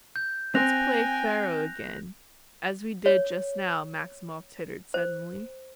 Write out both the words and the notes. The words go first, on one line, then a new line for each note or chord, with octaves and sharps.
"Let's play faro again, as we did just now," Maximov tittered suddenly.
G6
C4 G5 G#5 F#6 A#6 F7
C#5
C5